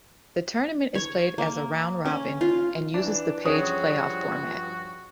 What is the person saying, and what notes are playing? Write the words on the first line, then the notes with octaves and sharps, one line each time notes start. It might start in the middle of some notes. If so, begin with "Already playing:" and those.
The tournament is played as a round robin and uses the page playoff format.
C#5
A#3
C#4
F4
E3 D4
G2 F3 C#4 F#4 G#4 D#6